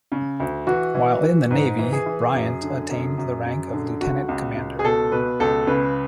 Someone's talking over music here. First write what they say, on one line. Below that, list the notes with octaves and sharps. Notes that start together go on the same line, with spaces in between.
While in the navy, Bryant attained the rank of lieutenant commander.
C#3
D2
E3 F#4
E3
E3
G#2
E3
G#4
E3
F#2
D3
F#2
F#2
F#2
D3
C#2 F#4
C#2
C#2
G#4
B2 A4
B2 B4
C#2 A4
C#3 B4